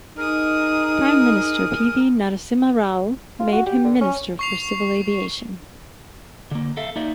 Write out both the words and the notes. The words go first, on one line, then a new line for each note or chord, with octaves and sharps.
Prime Minister P. V. Narasimha Rao made him Minister for Civil Aviation.
D#4 G#4 A#4 D#6
F4
F#4
G4
D3
C#4
C#6 C7 F7
D3 A#3
A4 E5 F5
A#3 D#4 D5 E5